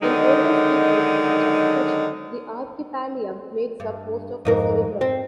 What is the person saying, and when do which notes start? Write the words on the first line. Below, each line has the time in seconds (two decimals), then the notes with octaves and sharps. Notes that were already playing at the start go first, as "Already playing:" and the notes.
In older species, such as fish, the archipallium makes up most of the cerebrum.
0.01 D3 D#3 F#3 G#3 D#4
3.80 G2
4.45 F2 G#2 A#4
5.01 C4